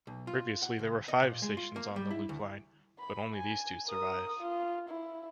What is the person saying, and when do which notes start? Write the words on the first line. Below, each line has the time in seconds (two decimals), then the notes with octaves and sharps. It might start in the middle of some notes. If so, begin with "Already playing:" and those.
Previously there were five stations on the loop line, but only these two survive.
0.07 B1
0.27 F4
0.62 F#5
0.79 C#2
1.08 D#5
1.22 A#2
1.42 G#3
1.57 F4
1.76 A#3
1.96 G3
2.11 E4
2.29 D2
2.99 B5
3.34 G#5
3.88 A#4 D#6
4.40 F4
4.89 E4